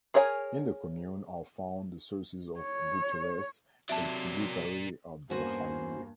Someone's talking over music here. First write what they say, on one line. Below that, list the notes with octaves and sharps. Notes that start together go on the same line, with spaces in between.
In the commune are found the sources of the Butteresse, a tributary of the Hallue.
G#4 A#4 C#5 F5 G#5
C#5
C3 F#3 A#4 D5 E5 A5
E2 G2 A#3 C#4 F#4 A#4 C5 G#5